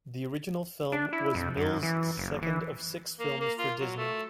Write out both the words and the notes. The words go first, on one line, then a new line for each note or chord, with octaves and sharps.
The original film was Mills' second of six films for Disney.
D4
E4
F2
F#2
E3
F#1
E3
A#3
A#3
F4
F#3
A3